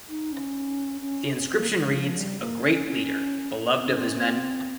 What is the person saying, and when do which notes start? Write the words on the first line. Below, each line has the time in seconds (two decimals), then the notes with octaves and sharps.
The inscription reads: "A great leader - Beloved of his men".
0.09 D#4
0.32 C#4
1.01 C#4
1.36 C#4
1.48 C4
1.59 A#3
1.71 G#3
1.94 F3
2.17 G3
2.40 A#3
2.64 C#4
2.86 C#4
3.79 C4
3.89 C#4
3.99 C4
4.08 C#4
4.18 C4